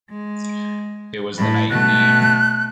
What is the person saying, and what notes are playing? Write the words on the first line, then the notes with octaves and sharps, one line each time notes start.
It was the night indeed.
G#3
A2 B5
B2 A3 F#6